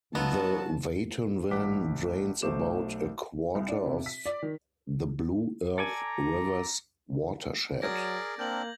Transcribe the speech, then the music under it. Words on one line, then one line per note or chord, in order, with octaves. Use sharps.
The Watonwan drains about a quarter of the Blue Earth River's watershed.
F#3 B3 D#4 F4 F#4 A4 A5
A1 F#5 D6 B6
B1 A3 C5 D6 E7
C2
D4
C3
B6
D5
D#3
A4 D5 G#5 A#5
F#3 G#4 A#4 D5 G#6 A#6
A#3 C4 D4 A#4 G6 F#7